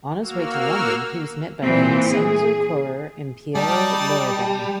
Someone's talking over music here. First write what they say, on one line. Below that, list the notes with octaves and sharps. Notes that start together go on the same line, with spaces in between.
On his way to London he was met by Vincenzo Correr and Piero Loredan.
A#3 F#4 E6 F6
A#2 E3 C4
G#4
G3 D#4 D5 A5